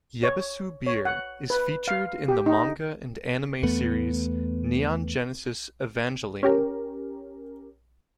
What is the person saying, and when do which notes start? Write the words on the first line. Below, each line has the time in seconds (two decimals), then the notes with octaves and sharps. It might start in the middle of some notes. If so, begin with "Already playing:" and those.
Yebisu Beer is featured in the manga and anime series "Neon Genesis Evangelion".
0.23 C#5
0.87 C#5
1.05 F#5
1.50 B4
1.88 F5
2.28 G4
2.46 D#4
3.63 E2 A3 B3
6.43 C#4 G4 A#4